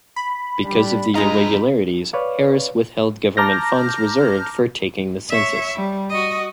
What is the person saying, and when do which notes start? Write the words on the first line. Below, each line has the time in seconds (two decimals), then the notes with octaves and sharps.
Because of the irregularities, Harris withheld government funds reserved for taking the census.
0.16 B5
0.64 G3 D4
1.15 F2 G#3 D#4 F4 D#5 A#5
2.13 B4 C#5 D5 F5
3.37 A5 A#5 D6 F6 G6 A#6
5.29 C#5 E5
5.75 G3
6.10 F#4 D#5